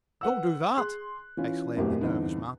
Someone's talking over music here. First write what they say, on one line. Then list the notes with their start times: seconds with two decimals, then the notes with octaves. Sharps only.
"Don't do that!" exclaimed the nervous man.
0.21 B4 F#5 E6
0.78 G#4 C6 F#6
1.37 E3 C#4 F4
1.77 E1 A1 F#2 A2 C4 G4
2.01 E2 G2 D3 C4 D4 D#4